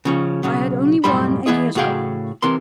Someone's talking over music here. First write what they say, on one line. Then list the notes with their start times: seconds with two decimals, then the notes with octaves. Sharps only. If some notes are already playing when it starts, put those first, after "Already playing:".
I had only one, and he has gone.
0.05 C#3 F3 C#4
0.43 B1 C#3 F#3
1.04 B1 F#2 A2 G3 C5 B5
1.46 E3 B3 E4 G#4 D#5
1.75 A2 C#3 F#4 G#4 F5 G5
2.42 C3 E3 A#4 C6